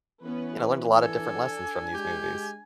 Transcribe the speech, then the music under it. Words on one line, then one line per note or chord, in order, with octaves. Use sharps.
you know, learned a lotta different lessons from these movies.
E3 B3 C#4 B4
D4 A4 G#5
G#3 G4